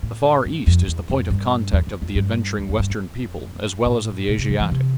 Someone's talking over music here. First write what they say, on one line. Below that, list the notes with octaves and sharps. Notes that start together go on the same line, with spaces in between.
The Far East is the point of contact of the adventuring Western people as well as of the Asiatic.
A2
G2
F2
E2
F2
G2
E2
F2
F2
G2
E2
F2
G2
F2
A2
B2
C3
F3
E3
C3